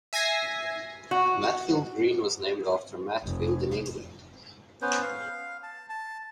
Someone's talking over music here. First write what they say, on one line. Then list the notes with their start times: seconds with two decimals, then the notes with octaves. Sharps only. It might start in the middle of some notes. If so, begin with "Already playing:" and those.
Matfield Green was named after Matfield, in England.
0.13 E5 G#5 G#6 A#6 C7
1.11 F#4
3.23 F1
4.82 B3 C#4 B4 C5
5.02 F5
5.63 A5
5.89 A5